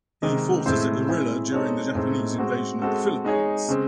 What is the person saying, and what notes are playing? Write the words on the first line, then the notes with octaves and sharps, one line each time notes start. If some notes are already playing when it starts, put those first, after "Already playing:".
He fought as a guerrilla during the Japanese invasion of the Philippines.
C3 D#3 G#3 D#4
A2 G#3 C4 E4 C5
G#3 C4 E4 G#4
G#3 C4 D#4 A4 C#5
A2 G#3 C4 D#4
G#3 C4 F#4
G#3 C4 F#4 A4
G#3 D#4 G#4 C#5
C#3 G#3 C4